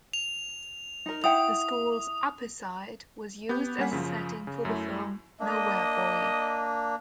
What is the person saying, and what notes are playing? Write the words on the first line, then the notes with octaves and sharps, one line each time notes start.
The school's Upper Site was used as a setting for the film "Nowhere Boy".
F7
D#4 A#4
E4 F#5 G5 D#6
B3 G4 G6
G3 A#3 C#4 F#5 G#5 B6
F#2 C#3 F3
C#3
F#2 F#3 A3 E4
A#3 D4 D#5